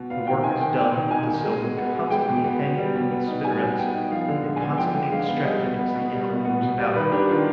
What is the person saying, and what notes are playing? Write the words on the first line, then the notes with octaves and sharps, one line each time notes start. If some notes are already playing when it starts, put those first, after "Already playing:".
The work is done with the silk constantly hanging from the spinnerets and constantly extracted as the animal moves about.
Already playing: B2
B3 F5
D#3 G5
D#4 G#5
D#3 G5
B3 G5
D#3
D#4 G#5
D#3
G#3
B2
B3
B2
G#3 G5
B2
B3
B2
G3
B2
B3
D#4
G3 G#5
B2
B3 G5
D#4
F3 F5
D3
G#3
G#5
B3
F3 G5
D3
G#3 F5
B3
G3 D#5
B2
B3
B2
G3
B2
B3
B2
G3 D5
D#3 B4
D4 G4
D#3 F4